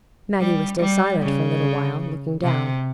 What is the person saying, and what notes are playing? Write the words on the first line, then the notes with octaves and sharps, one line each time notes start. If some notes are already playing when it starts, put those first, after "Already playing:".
Maggie was still silent for a little while, looking down.
G3
G3
C#3
C3